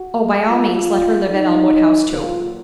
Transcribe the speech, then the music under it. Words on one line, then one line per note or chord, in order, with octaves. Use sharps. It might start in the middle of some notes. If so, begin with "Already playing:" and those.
Oh, by all means let her live at Elmwood House too.
Already playing: F#4
F4
D#4
A#2 F#3 A#3 F4